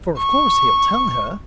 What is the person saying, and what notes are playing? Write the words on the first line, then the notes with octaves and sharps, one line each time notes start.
For of course he'll tell her.
C#6